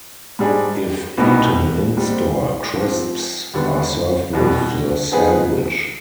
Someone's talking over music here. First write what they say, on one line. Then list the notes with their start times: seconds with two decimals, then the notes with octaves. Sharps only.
If eaten in-store, crisps are served with the sandwich.
0.39 G#2 G3 D4 G#4
1.18 C2 B2 B3 D#4 B4
1.97 G#2 G3 C4
2.75 F3 C4 G4
3.53 D#2 D3 G3 B3
4.33 C2 B2 G3
5.12 F3 B3 D#4 G#4 B4